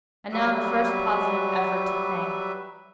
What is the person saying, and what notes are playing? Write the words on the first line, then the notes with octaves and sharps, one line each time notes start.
And now the first positive effort to think.
F#3 G3 B4 E5